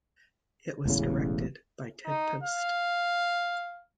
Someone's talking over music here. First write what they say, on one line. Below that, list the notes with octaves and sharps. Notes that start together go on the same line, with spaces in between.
It was directed by Ted Post.
E1 A1 E2 C#3
D#4
F5